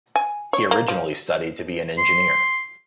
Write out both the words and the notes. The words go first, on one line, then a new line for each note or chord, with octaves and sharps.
He originally studied to be an engineer.
G#5
C#5
A#3
F3
C6